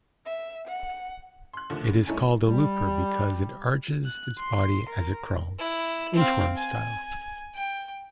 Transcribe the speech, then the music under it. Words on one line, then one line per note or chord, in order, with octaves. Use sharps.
It is called a "looper" because it arches its body as it crawls, inchworm-style.
E5
F#5
C6 F#6
D#2 D3 F3 A3
C#3
G2 A3 D#4 E4 C#5 G#5
G3
F#6
C6
A#4
E4
C4 F5
G#5
G5